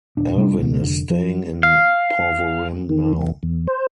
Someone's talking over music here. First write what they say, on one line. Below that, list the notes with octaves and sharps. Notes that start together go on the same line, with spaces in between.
Alvyn is staying in Porvorim now.
D#1 D4
C3 G3 D4
C#2 B2
F1 D3
F3
F5
D#3
E2
E2
C5